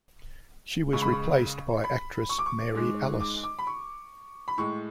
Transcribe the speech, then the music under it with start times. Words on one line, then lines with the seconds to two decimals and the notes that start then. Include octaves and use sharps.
She was replaced by actress Mary Alice.
0.92 C#2 C#3 G#3 C#6
1.02 B5
1.12 C#6
1.84 B5
2.29 C#6
2.39 D6
2.46 C#6
2.75 G#2 G#3
3.21 D6
3.44 D6
3.59 B5
3.67 C#6
4.48 B5
4.58 A2 G#3 C#6